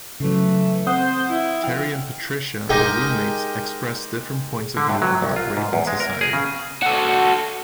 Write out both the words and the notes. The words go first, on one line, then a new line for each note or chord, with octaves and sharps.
Terry and Patricia, the roommates, express different points of view about rape in society.
C#3 E3 F#3 A3
C4 C5 F#5 D#6
E4
D3 F3 F4 G5 F6
G#3 D#4 G4 A#4 D#5
D3
A2
F#3
C2
F4
G#2
E2
G#3
A#4
G#4
C#3
F#4 A4